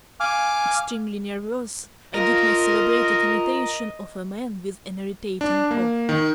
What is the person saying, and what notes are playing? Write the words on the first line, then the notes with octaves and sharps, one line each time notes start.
Extremely nervous, I did my celebrated imitation of a man with an irritating cough.
F5 G#5 D6 F6
F4 A#4 D#5
D4
A#3
D#3